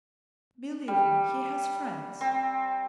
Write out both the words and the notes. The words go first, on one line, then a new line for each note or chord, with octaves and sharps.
Believe me, he has friends.
G3
C4